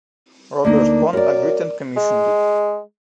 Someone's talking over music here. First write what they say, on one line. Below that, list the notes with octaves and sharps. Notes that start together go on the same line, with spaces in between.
Robert Kohn agreed and commissioned it.
D2 A#3 D4 D#4
F#2 A#4 D5
G#3